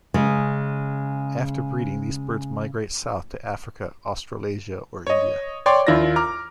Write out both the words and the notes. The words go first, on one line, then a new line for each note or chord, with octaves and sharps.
After breeding these birds migrate south to Africa, Australasia or India.
C#3 G#3
C#5 D#5
C#5 D5 G5 C6 D6
D#2 E4 F4 D5 A#6
A#5 D6 F6